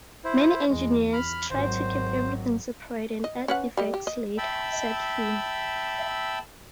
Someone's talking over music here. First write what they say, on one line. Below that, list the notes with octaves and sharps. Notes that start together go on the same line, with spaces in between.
"Many engineers try to keep everything separate and add effects later," said Finn.
E4 C5
E2 G#3
B5 F6
G#1 F#3 C5
D#5
C#4 B4 F#5
G3 G4 D#5
G4
D#5
E5 G5 A5 B5 E6